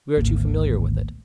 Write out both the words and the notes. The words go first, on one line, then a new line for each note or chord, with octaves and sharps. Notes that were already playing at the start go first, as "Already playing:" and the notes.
We are too familiar with it.
G#1 D2 A#3